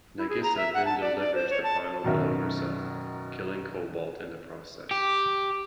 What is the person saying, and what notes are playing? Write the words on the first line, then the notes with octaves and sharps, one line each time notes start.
Nagisa then delivers the final blow herself, killing Cobalt in the process.
E4
G#4
A#5
E5
F#5
A5
D5
D5
C5
C#5
A5
F#2 B2 D#3 A#4 E5
G4